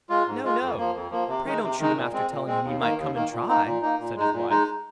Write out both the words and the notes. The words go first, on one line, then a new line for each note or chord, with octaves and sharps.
'No! no! pray don't shoot him after telling him he might come and try', said his wife.
G#3 F4
G#2
G#3 F4
F2
F3 A#3
F2
F3 A#3
C3
D#3 G#3 D#4
C3
D#3 G#3 D#4
A#2
G#3 C4
A#2
G#3 C4
D#2
D#3 A#3
D#2
D#3 A#3
A#2
A#3 D#4
A#2
A#3 D#4
A#2
G#3 D#4
A#2
G#3 D#4